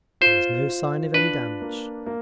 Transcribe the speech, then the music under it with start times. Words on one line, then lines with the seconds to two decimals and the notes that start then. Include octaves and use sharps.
There was no sign of any damage....
0.21 F4 C5
0.68 F4
1.14 D4 B4
1.61 A#3
2.06 A#3